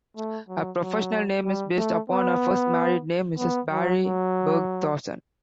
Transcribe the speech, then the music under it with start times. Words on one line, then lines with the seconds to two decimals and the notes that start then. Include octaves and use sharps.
Her professional name is based upon her first married name, Mrs Barry Bergthorson.
0.17 A3
0.48 F#3
0.81 F#3
1.44 G3
1.77 A3
2.10 B3
3.38 B3
3.70 F#3
4.02 F#3